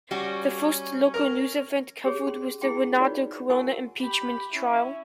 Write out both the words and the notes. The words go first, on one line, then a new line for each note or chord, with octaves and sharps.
The first local news event covered was the Renato Corona impeachment trial.
G3 C#4 F#4
A#4
G4 G#4 C#5
C#4 C6
E4 F#4 G#4 G5 C6
D#4 F4 F#4 B4 C#5 D5
E4 F#4 A#4 F#5 G#5 C#6
G4 B5
C#4 E4